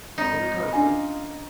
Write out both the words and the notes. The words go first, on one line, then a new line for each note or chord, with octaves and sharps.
"In the country?"
G#1 D#4
C#4 D4 F4 D5 G#5